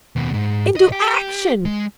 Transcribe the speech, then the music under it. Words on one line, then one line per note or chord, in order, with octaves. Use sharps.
Into action!
D#2 B2
G#2
B1 D#5
G4
G#3